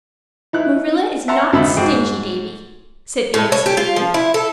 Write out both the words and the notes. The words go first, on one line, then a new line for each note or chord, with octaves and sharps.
"Marilla is not stingy, Davy," said Anne severely.
D#4 E4 F#6
E5 F#5 A5 A#5 C6
G#1 D3 E5 B5
G#2 F#4 G#4 G5
A2
C#5
G4
F4
F3
E4
A4